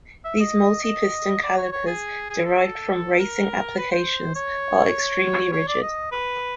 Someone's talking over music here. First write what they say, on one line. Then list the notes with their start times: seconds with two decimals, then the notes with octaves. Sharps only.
These multi-piston calipers derived from racing applications, are extremely rigid.
0.24 E5
0.40 D#5
0.83 D#5
1.42 D5
1.57 C#5
1.72 C#5
1.86 G#4
2.30 G#4
2.45 A4
3.19 A#4
3.77 B4
3.92 C5
4.35 C#5
5.52 C#5
5.68 D5
5.82 D#5
6.12 B4